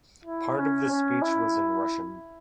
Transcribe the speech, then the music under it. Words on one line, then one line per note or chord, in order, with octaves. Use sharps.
Part of the speech was in Russian.
E4
C#4
C#4
E4